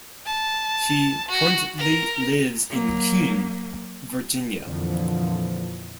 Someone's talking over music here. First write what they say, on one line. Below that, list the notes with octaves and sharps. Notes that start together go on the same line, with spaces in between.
She currently lives in Keene, Virginia.
A5
F#4
A#4
F#3 A#3
F2 A#2 D3 E3 F3